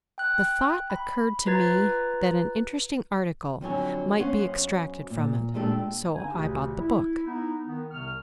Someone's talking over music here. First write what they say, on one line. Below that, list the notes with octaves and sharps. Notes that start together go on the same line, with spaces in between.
The thought occurred to me that an interesting article might be extracted from it, so I bought the book.
G5 F#6
B5
F4 B4 A#5 G#6 A6
F2 D3 F#3 G#5
F#2 B3 C#4 C5 F5 F#5
A#2
A#2 G#3 D4 G4 A4
G2 D3 D#4 G#5
D2 A#2 C#3 E3 G4
E4
B3 D#4 E4
D#3 B3
C2 C3 C#6 F6